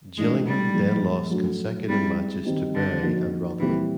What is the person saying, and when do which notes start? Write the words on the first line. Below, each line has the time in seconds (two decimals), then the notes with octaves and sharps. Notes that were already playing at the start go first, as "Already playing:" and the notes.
Gillingham then lost consecutive matches to Bury and Rotherham.
0.17 E3 G#3 A3 D4
0.45 G3
0.73 A#2 F3 G#3
1.31 F#3 A3 D4
1.87 G3 G#3 C4 E4
2.45 D#3 G3 C4 D#4
2.73 D3
3.02 F3 A#3 D#4 F#4
3.59 A#2 E3 G3 C4 E4 G4